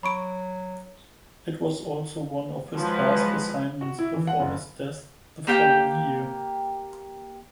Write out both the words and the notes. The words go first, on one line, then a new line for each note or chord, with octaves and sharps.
It was also one of his last assignments before his death the following year.
F#3 B5 C#6 D7
F3 F#3 G#3 B4
F#4
E4
E3
F#5
F#1
A#3 G4 G5